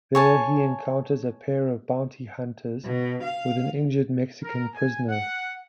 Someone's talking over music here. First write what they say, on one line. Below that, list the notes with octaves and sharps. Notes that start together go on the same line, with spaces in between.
There, he encounters a pair of bounty hunters with an injured Mexican prisoner.
C#5 G#5 A5
B2
F5
A#4
G#5
F#5